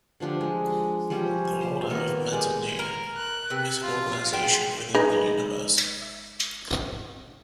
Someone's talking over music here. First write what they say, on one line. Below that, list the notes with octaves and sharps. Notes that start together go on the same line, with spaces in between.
The Order of Mata Nui is an organization within the universe.
D3 F3 D4 G4
G#3
F3 G3 C#4 G4
G4 C5
D#3 A#3 B3 A#4
G#3 G4 D5
A#4
F#6
C3 B3
F4
G#3 B3 G5
G#3 D#4 B4